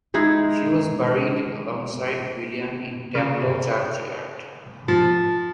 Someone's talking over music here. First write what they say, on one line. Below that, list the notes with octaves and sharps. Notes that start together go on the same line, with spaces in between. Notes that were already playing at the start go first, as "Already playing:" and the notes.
She was buried alongside William in Taplow churchyard.
G#3 D#4 E4 G#4
C#3
F3